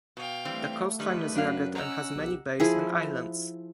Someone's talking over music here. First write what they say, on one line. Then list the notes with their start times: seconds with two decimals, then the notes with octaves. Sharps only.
The coastline is rugged and has many bays and islands.
0.17 B2 F5 G5
0.45 E3 G3 A3 C4
0.99 D#3 G3 D#4 B4
1.35 F#2 D4 F#4 F5
1.75 C#4 D#5 F#5 A#5 E6
2.15 B1 G4
2.60 F3 E4 G#4